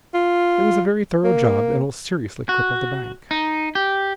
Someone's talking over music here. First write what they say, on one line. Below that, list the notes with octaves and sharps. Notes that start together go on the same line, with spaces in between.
"It was a very thorough job, and will seriously cripple the bank."
F4
A#3
F#4
D#4
G4